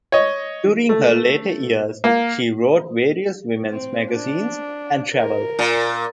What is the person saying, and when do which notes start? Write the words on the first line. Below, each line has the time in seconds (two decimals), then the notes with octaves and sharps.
During her later years, she wrote various women's magazines and traveled.
0.12 C#5 D#5
0.89 A3
2.04 A#3
3.71 C4
4.11 D4
5.12 A#4
5.59 A#2